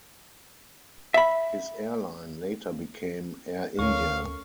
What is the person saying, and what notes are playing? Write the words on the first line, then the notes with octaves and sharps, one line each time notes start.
His airline later became Air India.
E5 B5
D2 A3 C#4 A#4 F5 C#6